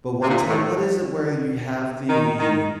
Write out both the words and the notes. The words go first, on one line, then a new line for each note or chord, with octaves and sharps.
but one time What is it where you have the
C3
A#2
A2
D#3
D#3